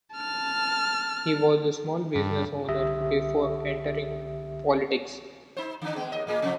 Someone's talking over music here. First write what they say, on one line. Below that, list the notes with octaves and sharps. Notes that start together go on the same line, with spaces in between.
He was a small business owner before entering politics.
A5 F6
G2
C2 D3 G4 E5 D#6 A#6
D#4 C5
D3 D4
G#3 B3
D#2 D#5
A2 A#3 G#4
C3 F3